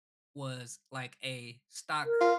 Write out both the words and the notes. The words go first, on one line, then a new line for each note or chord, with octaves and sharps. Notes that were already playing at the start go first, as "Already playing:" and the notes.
was like a stock
A#4
F4